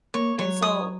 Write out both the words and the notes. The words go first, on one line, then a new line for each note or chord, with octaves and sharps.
And, so,
A#3 C#5
F#3 C#5
D#6